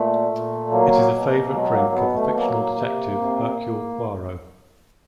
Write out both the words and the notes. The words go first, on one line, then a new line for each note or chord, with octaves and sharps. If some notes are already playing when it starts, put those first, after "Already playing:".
It is a favourite drink of the fictional detective Hercule Poirot.
Already playing: A#2 A3
A#2
F#3 A#3
B2
F#3 G#3
A#3
B2 B3
A3
F#3 A#3
C3
C3